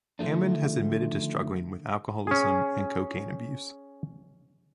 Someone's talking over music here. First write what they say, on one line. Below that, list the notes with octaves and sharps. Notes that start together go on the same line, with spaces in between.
Hammond has admitted to struggling with alcoholism and cocaine abuse.
D3 D#3 F3 A3 D4
C#4 G#4